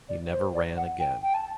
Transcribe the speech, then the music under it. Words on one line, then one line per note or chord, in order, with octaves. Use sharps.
He never ran again.
D5
C5
D5
F#5
G5
G5
A5